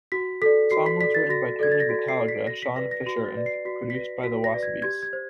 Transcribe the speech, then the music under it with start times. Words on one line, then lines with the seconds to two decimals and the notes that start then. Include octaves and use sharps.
The song was written by Tony Battaglia, Shaun Fisher and produced by The Wasabees.
0.12 F#4 B6
0.42 A4 B6
0.46 D5
0.71 F#4 C7
0.86 B6
1.01 A4 D5 B6
1.14 A6
1.29 F#4 A#6
1.59 A4 D5 G#6
1.72 A6
1.80 A#6
1.89 F#4 B6
2.08 C7
2.19 A4 D5
2.28 B6
2.47 F#4 A#6
2.62 B6
2.76 B4 D5 A#6
2.91 A#6
3.07 F#4 A#6
3.26 A6
3.36 B4 D5
3.46 C7
3.65 F#4 B6
3.90 B6
3.95 B4 D5 A#6
4.23 F#4 B6
4.44 A#6
4.54 B4 D5
4.63 G#6
4.82 G4 G#6
5.03 G#6
5.13 C5